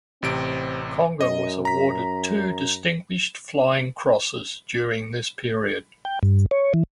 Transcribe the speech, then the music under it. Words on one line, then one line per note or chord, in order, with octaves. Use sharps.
Conger was awarded two Distinguished Flying Crosses during this period.
A1 C3 C4 D7
F#2 D#5
A#5 B6
G5
G2
C#5
E3